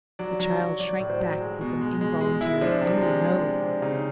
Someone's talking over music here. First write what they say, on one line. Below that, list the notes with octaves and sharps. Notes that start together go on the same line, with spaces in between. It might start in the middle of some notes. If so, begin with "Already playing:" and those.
The child shrank back with an involuntary "Oh, no."
F#3 D5
F#3
F#3
F#3 D5
A2
C5
F#3
G#3
B2
G#3
G#3
G#3
G#3 E4
F3 D4
C3
G#3
G#3
F3
C3
C#3 D#4